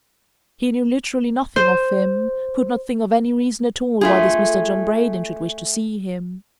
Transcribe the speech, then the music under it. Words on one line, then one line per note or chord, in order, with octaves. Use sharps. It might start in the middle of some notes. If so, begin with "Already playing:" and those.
He knew literally nothing of him--could not think of any reason at all why this Mr. John Braden should wish to see him.
C5
A3 F4 G#4